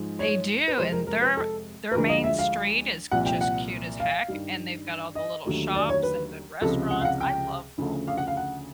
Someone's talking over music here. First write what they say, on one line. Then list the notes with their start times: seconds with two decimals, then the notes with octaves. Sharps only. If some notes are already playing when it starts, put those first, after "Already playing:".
They do, and their their main street is just cute as heck, and they've got all the little shops and good restaurants. I love Fallbrook.
Already playing: G#2 F3 G#3
0.19 C#5
0.68 B4
0.78 F2 C3 F3 G#3 C5
0.92 A#4
1.07 A#4
1.22 B4
1.37 A4
1.91 B4
1.95 D2 D3 F3 G#3 A#4
2.09 D#5
2.24 E5
2.39 F5
3.11 C2 A#2 F3 F#5
3.26 G5
3.41 F#5
4.00 F5
4.28 G2 D#3 G3
5.15 D#5
5.45 D#2 D3 F#3 A3
5.75 D5
5.89 C#5
6.03 B4
6.61 C#2 C3 F3 A4
6.91 F#5
7.01 F5
7.05 F#5
7.21 G5
7.78 D2 C#3 F3 A3
8.08 F5
8.18 F#5
8.27 F5
8.37 F#5